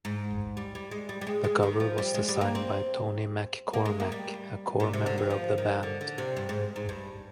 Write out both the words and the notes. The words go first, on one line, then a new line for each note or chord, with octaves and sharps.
The cover was designed by Tony McKormack, a core member of the band.
G#2
G3
G3
G#3
G3
G3
G#3
G#3
D#3
F3
G3
G#3
G3
A#3
C4
A#3
G#3
A#3
G3
A#2
C3
D3
D#3
F3
D#3
D3
D3
C3
G2
G#2
G#2
G2